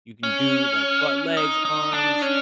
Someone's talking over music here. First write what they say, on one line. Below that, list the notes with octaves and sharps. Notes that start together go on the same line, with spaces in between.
you can do, like, butt, legs, arms,
C#4
D#4
D#4
D4
C#4